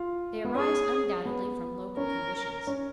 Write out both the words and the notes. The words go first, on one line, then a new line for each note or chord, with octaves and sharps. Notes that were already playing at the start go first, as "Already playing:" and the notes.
They arise undoubtedly from local conditions.
Already playing: F4
B3
C#4 G#4
B3
C#4 A#4
C#4